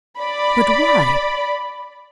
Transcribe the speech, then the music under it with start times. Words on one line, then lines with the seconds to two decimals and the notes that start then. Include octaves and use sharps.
But why?
0.20 D5 B5